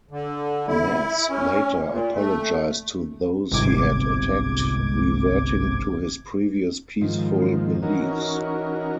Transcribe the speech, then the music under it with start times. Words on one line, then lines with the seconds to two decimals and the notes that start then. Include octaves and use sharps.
Nas later apologized to those he had attacked, reverting to his previous peaceful beliefs.
0.11 D3
0.67 E4
1.29 C#4
1.89 A#2
2.14 A3
3.52 G1 C2 G#2 C3 D6 G#6
7.01 G#2 D#3 F3
7.83 E3 C#4 D#4 F#4 A#4